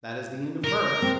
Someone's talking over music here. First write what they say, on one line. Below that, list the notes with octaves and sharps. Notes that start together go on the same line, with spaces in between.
That is the end of her.
A#4
C4